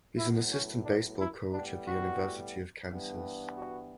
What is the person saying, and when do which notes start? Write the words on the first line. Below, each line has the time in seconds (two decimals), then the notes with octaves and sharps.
He is an assistant baseball coach at the University of Kansas.
0.16 A2 F#3 B3 E4
0.51 C#4
0.84 D4
1.19 E4
1.52 A2 G3 B3 D4
1.87 F#4
2.89 G2 E3 G3 B3
3.57 F#4